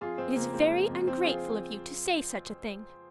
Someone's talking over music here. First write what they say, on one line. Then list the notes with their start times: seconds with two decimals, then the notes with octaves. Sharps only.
"It is very ungrateful of you to say such a thing."
0.01 F2 F4 G#4
0.18 F2 C4
0.36 C#3 A#3
0.53 G#3 C4
0.72 F2
0.89 F2
1.06 F2 C4
1.24 F2 F4 G#4